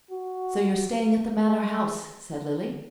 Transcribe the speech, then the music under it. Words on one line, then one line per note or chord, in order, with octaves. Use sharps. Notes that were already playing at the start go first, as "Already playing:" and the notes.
"So you're staying at the Manor House," said Lily.
F#4
G#3